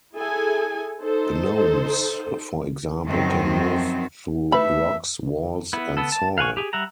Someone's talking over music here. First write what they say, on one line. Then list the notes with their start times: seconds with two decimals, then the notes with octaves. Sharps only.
Gnomes, for example, can move through rocks, walls, and soil.
0.14 E4 G#4 A4 G#5
1.01 D#4 A4 C5
3.05 F#2 D#3 F3 F#3 C4
4.52 A3 B4 E5 B5
5.73 B3 E4
5.97 B3 A4
6.12 A5
6.38 F5 F#5 G#5 C#6
6.57 G4 G#4
6.73 G3 E5 F#5 A#5